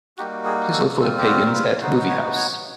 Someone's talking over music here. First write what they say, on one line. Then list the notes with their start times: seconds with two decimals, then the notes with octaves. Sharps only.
Please look for The Pagans at movie house.
0.18 G3 A#3 D#4 F#4 G4
0.45 G#4
0.73 A4
1.00 G3 C4 F4 A4
1.18 G4
1.27 F#4
1.47 A#4
1.54 B4
1.81 B3 D#4 F#4 C5
2.09 C#5
2.36 C#5